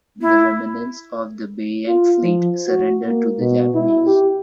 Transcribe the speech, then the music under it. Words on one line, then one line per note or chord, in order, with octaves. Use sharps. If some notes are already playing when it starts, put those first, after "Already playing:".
The remnants of the Beiyang Fleet surrendered to the Japanese.
E4
F4
F3
F#4
A#3
B2
E4
G4